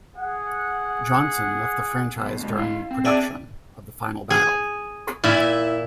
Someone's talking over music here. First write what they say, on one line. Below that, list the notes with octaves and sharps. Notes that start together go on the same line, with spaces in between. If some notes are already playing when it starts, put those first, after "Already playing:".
Johnson left the franchise during production of "The Final Battle".
G#4 F#5
F#2 B2
A#2 D3 G#3
E4 F5
C4
D4 G#4 D5 E5
G#4
A#2 E4 E5